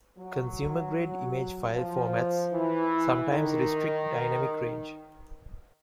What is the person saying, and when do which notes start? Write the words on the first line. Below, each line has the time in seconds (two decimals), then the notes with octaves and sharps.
Consumer-grade image file formats sometimes restrict dynamic range.
0.17 F#3
1.75 F3
2.52 E3
3.31 D#3